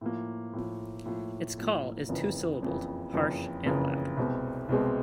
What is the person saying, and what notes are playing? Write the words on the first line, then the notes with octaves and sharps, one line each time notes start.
Its call is two-syllabled, harsh and loud.
A2 F3 A#3
A2 F3 A#3
A2 F3 A#3
A2 F3 A#3
F#1 F2 C#3 E3
F#1 F2 C#3 E3
F#1 F2 C#3 E3
F#1 F2 C#3 E3
C2 B2 G#3 C4
C2 B2 G#3 C4